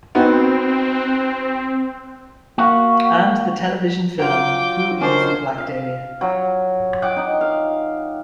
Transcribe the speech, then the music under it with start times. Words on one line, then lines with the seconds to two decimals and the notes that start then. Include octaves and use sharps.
And the television film Who Is the Black Dahlia?
0.15 B3 C4 D#4 F#4
2.58 A#3 F#4 F5 F#5
4.19 F#3 F4 G5 D6
5.01 D#3 C#4 D4 C5
5.58 F5
6.21 F#3
7.02 F#5 G5 D6
7.16 D#4
7.41 F5